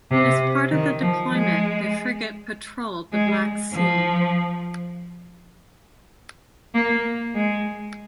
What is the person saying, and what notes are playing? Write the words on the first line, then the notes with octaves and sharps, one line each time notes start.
As part of the deployment, the frigate patrolled the Black Sea.
C3
D#3
F3
G#3
G#3
F3
A#3
G#3